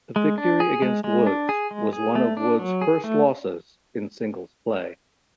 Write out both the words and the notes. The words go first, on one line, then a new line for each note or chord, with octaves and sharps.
The victory against Woods was one of Woods' first losses in singles play.
G#3
D4
G#4
G#3
G#3
D4
G#4
G#3
G#4
A3
D4
F#3
G#4
A3